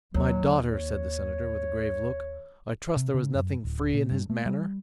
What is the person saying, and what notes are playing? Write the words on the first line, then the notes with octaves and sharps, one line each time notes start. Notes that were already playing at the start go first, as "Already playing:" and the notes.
"My daughter," said the Senator, with a grave look, "I trust there was nothing free in his manner?"
D#2 F#3
C#5
C3
C#3
F#2
D1
A#2
G2
A3
G3